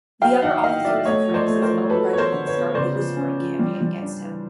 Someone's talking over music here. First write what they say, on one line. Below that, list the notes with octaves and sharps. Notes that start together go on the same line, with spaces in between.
The other officers of Franks's own regiment started a whispering campaign against him.
F#3 F5 G5
D#3 E5 F#5
A#3 D#5 F5
F#3 D5 E5
A3 C#5 D#5
F3
C5 D5
A3
A#4 C5
F3
F#3 A4 B4
B3 C#5
A#4 C5
D3
B4 C#5
B3
C#3 C5 D5
F3
C#4
F3
G3
G3
D4
E3